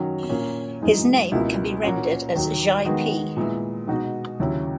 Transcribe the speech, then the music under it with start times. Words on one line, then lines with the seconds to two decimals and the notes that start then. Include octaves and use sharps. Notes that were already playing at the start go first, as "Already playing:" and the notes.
His name can be rendered as Jia Pi.
Already playing: F#2 D#3 F#3 C#4 F#4
0.29 A#2 A#3 C#4
0.82 F#2 E3 G#3 D#4
1.32 C#2 B2 A#3 E4
1.83 A#2 A#3 C#4 F#4
2.35 D#2 D#3 F#3
2.85 D#3 G#3 B3 F#4
3.37 A#2 G#3 B3 E4
3.88 B2 G#3 D#4 F#4
4.40 D#2 C#3 F#3 C#4 E4